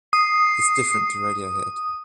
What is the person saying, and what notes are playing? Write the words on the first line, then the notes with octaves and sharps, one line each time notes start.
It’s different to Radiohead.
D#6 C7